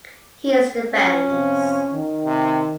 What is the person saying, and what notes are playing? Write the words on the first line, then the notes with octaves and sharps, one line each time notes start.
He is defense.
C#4
F2 C3 F3
D#3
C3